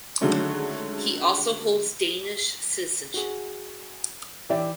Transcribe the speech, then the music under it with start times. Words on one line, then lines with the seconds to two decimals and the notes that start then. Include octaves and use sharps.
He also holds Danish citizenship.
0.21 D3 D#3 F#3 G#3 A3 C#4
3.14 F#4 G#4
4.49 E3 G4 D5 E5